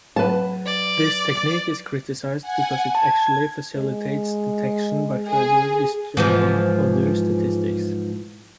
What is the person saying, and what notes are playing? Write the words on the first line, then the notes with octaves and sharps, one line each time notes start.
This technique is criticized because it actually facilitates detection by further disturbing other statistics.
F#3 B4 A5
D5
F#5 G#5
A5 G#6
G#3
G#4
G#2 E3 F3